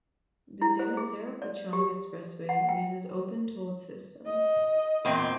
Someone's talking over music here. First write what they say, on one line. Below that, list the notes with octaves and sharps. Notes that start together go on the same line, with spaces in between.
The Damansara-Puchong Expressway uses opened toll systems.
E4
C5
G#4
D5
G4
F#5
G5
D#5
E2 A#2 C4